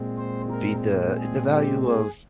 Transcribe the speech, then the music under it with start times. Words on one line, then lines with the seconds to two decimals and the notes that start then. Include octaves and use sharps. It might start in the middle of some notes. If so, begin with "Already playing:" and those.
would be the, the value of
Already playing: A#2 G#3 C4
0.18 C5
0.51 A#4
1.18 G#4
1.52 G4
1.86 G#4